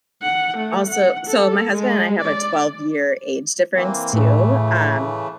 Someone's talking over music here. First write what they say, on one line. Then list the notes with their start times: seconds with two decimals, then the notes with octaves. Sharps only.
also So my husband and I have a twelve-year age difference too, um
0.22 F#5
0.57 A3
0.90 F#5
1.27 A4
1.73 G#3
2.22 D5
3.75 E3 A#3 C4
4.13 A2 C#3 E3 A3